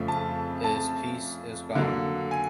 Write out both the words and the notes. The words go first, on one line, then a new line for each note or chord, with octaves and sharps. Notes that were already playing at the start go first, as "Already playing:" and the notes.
Its peace is gone!
Already playing: F2 C#3 F3 A3
A5
A5
D3 F#3 A#3
G#5